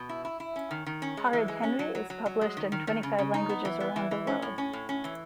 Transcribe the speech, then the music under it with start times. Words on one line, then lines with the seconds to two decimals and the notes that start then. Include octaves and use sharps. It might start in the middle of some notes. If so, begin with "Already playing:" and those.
Horrid Henry is published in twenty five languages around the world.
Already playing: B2
0.09 E4
0.25 E4
0.40 E4
0.56 C#4
0.71 D#3
0.86 D#3
1.02 C#4
1.17 G#3
1.33 E3
1.48 G#3
1.63 C#4
1.79 F#3
1.95 F#3
2.10 F#3
2.26 F#3
2.41 G#3
2.57 D#3
2.72 D#3
2.87 D#3
3.03 C#3
3.18 C#3
3.34 D#4
3.49 B3
3.65 E3
3.80 B3
3.96 E3
4.11 E3
4.27 C#4
4.42 A2
4.58 C#4
4.73 A2
4.89 C#4
5.04 E3